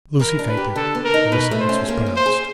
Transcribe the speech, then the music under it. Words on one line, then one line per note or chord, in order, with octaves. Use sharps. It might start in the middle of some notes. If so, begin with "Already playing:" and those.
Lucie fainted when the sentence was pronounced.
E3 A#4
D4
B4
G4
D3 A4
B3
A#4
D#4
B2 B4
A3
C5
C#4
A#3
F4
C5
G#4